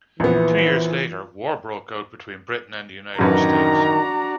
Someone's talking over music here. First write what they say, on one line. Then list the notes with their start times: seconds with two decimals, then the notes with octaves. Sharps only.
Two years later, war broke out between Britain and the United States.
0.20 A#1 E3 B3
3.19 A1 F#2 D#3 D4 F#4 B4 A#5